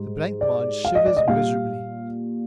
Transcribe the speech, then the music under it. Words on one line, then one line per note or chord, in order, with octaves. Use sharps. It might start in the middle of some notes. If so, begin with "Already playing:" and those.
The blancmange shivers miserably.
Already playing: G#2 G3
D5
F5
D#5
D5
D#5
A#2 G3 F5